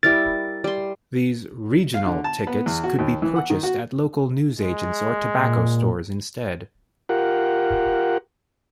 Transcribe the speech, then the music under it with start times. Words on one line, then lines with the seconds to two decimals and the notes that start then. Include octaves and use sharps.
These "regional" tickets could be purchased at local newsagents or tobacco stores instead.
0.03 G3 E4 A#4 A6
0.64 G3 C6
1.94 F5
2.06 D3
2.24 A5
2.47 B3
2.66 E2
2.84 F#4
2.99 D#2
3.22 E3
3.36 F#5
3.50 D#3
3.63 F#4
4.58 G#3
5.34 A#2
7.09 F4 G4 A#4 F#5